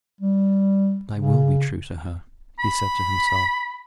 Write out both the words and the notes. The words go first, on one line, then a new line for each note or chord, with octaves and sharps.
"And I will be true to her," he said to himself.
G3
C#3
B5